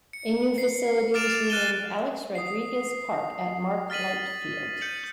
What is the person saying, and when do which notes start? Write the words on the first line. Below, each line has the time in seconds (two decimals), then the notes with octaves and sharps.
The new facility was renamed "Alex Rodriguez Park at Mark Light Field".
0.13 C#7
0.58 C7
1.14 D6 F6 A6 D7 E7 F7
1.50 F6 F#6 A6 D#7 G7
2.35 D#6 C7
3.90 F6 A6 B6 D#7 F#7
4.81 G6 C#7 D#7 F#7